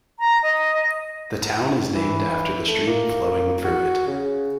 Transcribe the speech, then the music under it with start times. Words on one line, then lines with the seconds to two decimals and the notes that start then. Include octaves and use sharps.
The town is named after the stream flowing through it.
0.19 A#5
0.43 D#5
1.95 E3
2.68 A3
2.87 A#3
3.65 F#4
4.07 C#3